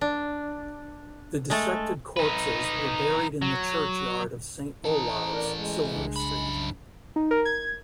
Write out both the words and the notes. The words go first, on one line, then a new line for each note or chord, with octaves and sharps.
The dissected corpses were buried in the churchyard of Saint Olave's, Silver Street.
D4
G#3 A3 A4
D#4 B4
F#3
E3 D#4 A4
D4 A#4
G#3
C2 C#3 D4
F#2 B5
D#4
A#4
G#6